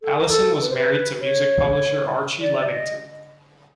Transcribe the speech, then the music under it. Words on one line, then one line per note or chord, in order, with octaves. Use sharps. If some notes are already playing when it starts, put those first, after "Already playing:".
Allison was married to music publisher Archie Levington.
A4
A#4
A4
B4
C5
B4
C#5
D5
D#5